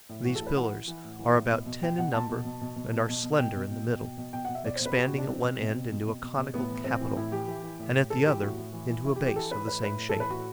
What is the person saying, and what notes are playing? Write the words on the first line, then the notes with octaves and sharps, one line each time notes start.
These pillars are about ten in number and are slender in the middle, expanding at one end into a conical capital and at the other into a base of the same shape.
A2
E3 F#4
A4
A2
B4
E3 F#5
E3
E3
A2
E3
A2
B2
B2
B2 G5
B2 F#5
B2 A5
B2
B2
B2
B2
B2
B2
B2
B2 G5
B2
B2
B2
B2
B2
B2 G5
B2 F#5
E5
B2 D5
C5
B2
B4
B2 G4
F#4
B2
D4
B2 C4
B2
B2
B2
B2
B2
B2
B2
A2 B3
E3
A2 C4
E3
A2 E4
E3 G4
E3
E3
A2
A2
E3 A4
E3 G4
A2 F#4
A2
E3
E3
E3 E4
G4
E3
G4
E3 A4
E3 B4
A2 B4
A2 B4
A2
A4
E3
B4
A2 F#4